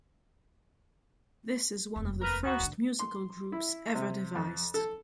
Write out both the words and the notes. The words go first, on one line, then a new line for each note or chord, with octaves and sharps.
This is one of the first musical groups ever devised.
F1 D#2
A#4 B4
D#2 A#3 B3 F#4
G#2 D3
C6
E4
C3
F2
A4